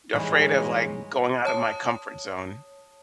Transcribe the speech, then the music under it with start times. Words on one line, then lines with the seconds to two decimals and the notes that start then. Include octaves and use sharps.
afraid of, like, going out of my comfort zone
0.14 G#2 E3 G3 G#3 C#5
1.45 C#5 A5 D#6